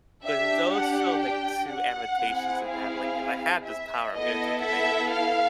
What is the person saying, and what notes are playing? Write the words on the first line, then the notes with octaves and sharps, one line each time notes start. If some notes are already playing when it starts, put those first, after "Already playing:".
But, it's also, like, too advantageous to have like if I had this power, I'm gonna take advantage of it.
D4 G4 E5
F#5
G5
F#5
C4 E4 G#4
F5
E5
B3 E4 A4 D#5
E5
F5